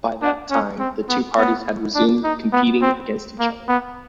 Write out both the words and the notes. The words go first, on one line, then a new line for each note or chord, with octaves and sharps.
By that time, the two parties had resumed competing against each other.
D4
C#4
C4
B3
B3
D4
D#4
B3
C4
A#3
B3